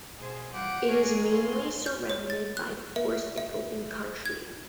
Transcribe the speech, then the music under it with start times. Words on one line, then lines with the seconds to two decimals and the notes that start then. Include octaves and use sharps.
It is mainly surrounded by forest and open country.
0.18 B2 G#4 C5
0.53 E3 G3 F4 G4 F#5 D7
0.88 G#4 A#4 C#5 D5
1.31 C4 F4 C6
1.86 G6
2.10 C#5
2.30 A6
2.57 F#6
2.96 E5
3.38 E5
4.26 G#6